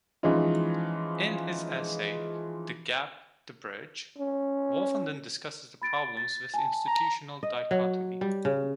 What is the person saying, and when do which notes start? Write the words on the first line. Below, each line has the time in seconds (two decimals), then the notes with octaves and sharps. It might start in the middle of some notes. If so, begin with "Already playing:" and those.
In his essay "The Gap-The Bridge", Wolfenden discusses the problems with institutional dichotomy.
0.23 E3 F3 G#3 C#4 D#4 F4
4.18 C#4
5.82 B5 A6 D7
6.17 A6
6.54 G#5 A5
6.87 A#5
7.43 D#5
7.71 F#3
8.21 G3
8.45 C#3